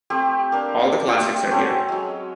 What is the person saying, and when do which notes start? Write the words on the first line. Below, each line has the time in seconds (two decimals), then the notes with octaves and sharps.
All the classics are here.
0.10 A3 C4 G4
0.52 A#3 D4
1.06 G3 F4 G4
1.21 E5
1.51 C4 C#4 F#4 A4
1.88 F#3 G#3